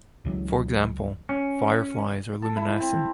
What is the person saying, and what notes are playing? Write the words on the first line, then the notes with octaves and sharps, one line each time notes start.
For example, fireflies are luminescent.
C#2 E3 F#3
C#4
A4
E4
C4